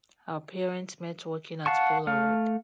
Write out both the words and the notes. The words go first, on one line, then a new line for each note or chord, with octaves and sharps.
Her parents met working at Polaroid.
F5 F#5 A5 C#6
A3 F5